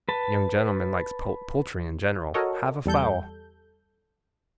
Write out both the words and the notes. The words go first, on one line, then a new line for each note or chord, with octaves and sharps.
Young gentlemen likes poultry in general: have a fowl!'
B4 A5
F#4 A4 A#4 C#5 D#5
E2 G3 A4 G6